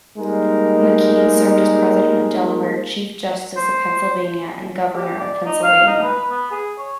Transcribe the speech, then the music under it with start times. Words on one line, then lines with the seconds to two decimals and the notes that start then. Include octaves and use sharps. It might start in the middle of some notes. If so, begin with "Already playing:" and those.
McKean served as President of Delaware, Chief Justice of Pennsylvania, and Governor of Pennsylvania.
0.18 G3 G#3 A#3 D#4 A#4
3.57 C5
4.96 G4
5.19 D5
5.45 D#4
5.63 F5
5.87 D#4
6.03 B4
6.31 B3
6.51 G#4
6.78 C#5